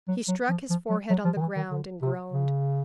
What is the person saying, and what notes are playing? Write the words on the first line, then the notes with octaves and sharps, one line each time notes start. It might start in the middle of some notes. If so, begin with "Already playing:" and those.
He struck his forehead on the ground and groaned.
F#3
F#3
F3
F3
F#3
F#3
F3
D#3
E3
D#3
D3
C3
C#3